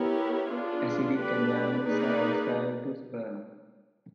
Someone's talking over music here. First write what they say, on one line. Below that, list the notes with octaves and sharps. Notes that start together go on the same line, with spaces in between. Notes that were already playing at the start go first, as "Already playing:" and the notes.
Acidic environments are hostile to sperm.
Already playing: B3 E4 G4 A#4 C#5
B3 D4 F4 G#4
A3 D4 G4 B4 D5
A#3 D#4 G#4 B4 D5